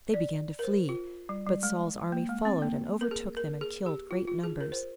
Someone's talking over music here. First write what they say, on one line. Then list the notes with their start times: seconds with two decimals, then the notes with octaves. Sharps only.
They began to flee. But Saul's army followed and overtook them and killed great numbers.
0.14 D5
0.59 A#4
0.63 C5
0.89 F4
1.29 G3
1.47 G3
1.63 G#3
2.12 A#3
2.29 G#3
2.45 C4
2.62 A#3
3.01 A#4
3.11 G#4
3.37 A#4
3.61 G#4
3.86 G4
4.11 F4
4.27 F4
4.44 G#4
4.61 A#4
4.72 C5